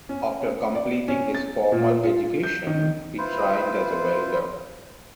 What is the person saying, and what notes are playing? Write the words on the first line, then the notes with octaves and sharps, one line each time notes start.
After completing his formal education, he trained as a welder.
C#4
D5
C#4
A6
A#2
F4
G6
D#3
E4 F4 B4 C5